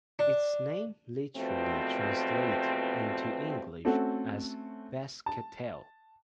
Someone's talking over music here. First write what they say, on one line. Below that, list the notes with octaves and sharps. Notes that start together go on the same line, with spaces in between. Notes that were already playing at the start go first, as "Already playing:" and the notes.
Its name literally translates into English as "Basque-Tel".
D4
E2 B2 F3 A3 C4
A3 C4 C#4 F#4 A4
A5